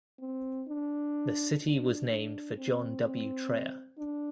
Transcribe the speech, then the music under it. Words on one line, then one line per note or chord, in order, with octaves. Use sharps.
The city was named for John W. Traer.
C4
D4
D4
D4
C4
C4
D4